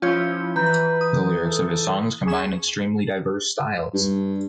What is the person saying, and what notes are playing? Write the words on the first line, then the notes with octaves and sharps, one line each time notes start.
The lyrics of his songs combine extremely diverse styles.
F3 C#4 E4 F4 C#5 G6 G#6
E3 B4 A#5 B5 G6
D#6
A4
D#2 C#4 G#4 E7
G2